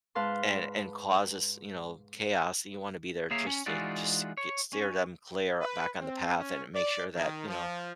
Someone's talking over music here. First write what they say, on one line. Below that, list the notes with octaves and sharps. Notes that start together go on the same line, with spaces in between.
and and causes, you know, chaos, you wanna be there just to, just get steer them clear back on the path and make sure that, you know,
G#2 B4 F5 A5 C6
A#3 G#4 C#5 E5 F5 A#5
C#4
E3 G#3 D#4 F4 F#4 D5
C#5
C#4
B4
C4
C#4
D5
D#3
F3